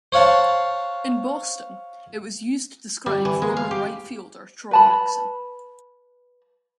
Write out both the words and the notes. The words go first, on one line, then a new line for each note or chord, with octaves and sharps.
In Boston, it was used to describe former Right Fielder Trot Nixon.
C5 C#5 F5 F#5 A5
G3
E3
G#3
F5
G4
B4 A5 B5